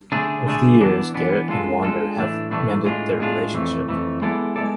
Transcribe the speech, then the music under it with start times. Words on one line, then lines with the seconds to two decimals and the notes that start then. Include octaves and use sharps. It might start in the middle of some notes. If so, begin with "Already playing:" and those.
Over the years, Garrett and Wonder have mended their relationship.
0.12 D3 A3 D4 G#4
0.46 D3 A3 D4 G#4
0.81 E3 B3 D4
1.14 E3 B3 D4
1.49 G#3 D4 F4 A4
1.83 G#3 D4 F4 A4
2.16 A2 E3 A3 D4
2.51 A2 E3 A3 D4
2.85 A2 G#3 D4 F4
3.19 A2 G#3 D4 F4
3.53 F2 E3 A3
3.88 F2 E3 A3
4.22 G#3 B3 E4 A4 D5
4.56 G#3 B3 E4 A4 D5